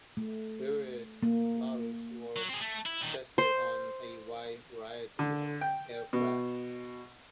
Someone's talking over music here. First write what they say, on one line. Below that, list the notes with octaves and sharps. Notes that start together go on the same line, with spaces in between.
Various models were tested on a wide variety of aircraft.
A3
A#3
F#3
C4 G#4
A3
E4
A#2 D#3
C5
D3
G5
B2